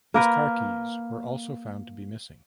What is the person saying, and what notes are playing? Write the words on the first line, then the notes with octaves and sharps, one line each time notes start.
His car keys were also found to be missing.
A#3 A#4 B4